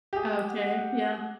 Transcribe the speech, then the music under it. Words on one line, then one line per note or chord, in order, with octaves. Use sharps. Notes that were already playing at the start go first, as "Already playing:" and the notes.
Okay, yeah.
G4 G#4
F#5